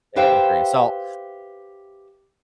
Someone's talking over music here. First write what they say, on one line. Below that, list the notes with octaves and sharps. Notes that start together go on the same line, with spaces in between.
take it with a grain of salt.
G4 B4 C5 E5 F5 G5